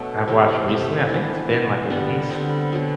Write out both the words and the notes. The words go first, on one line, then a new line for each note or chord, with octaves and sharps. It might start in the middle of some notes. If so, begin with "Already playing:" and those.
I've watched recently, I think it's been, like, at least
Already playing: B2 F#3 A3 D4
C3 E3 A3 C4
C3 E3 A3
E3 B3 D4
E3 B3
D3 G3 B3 D4
D3 G3 B3 C4
B2 F#3 B3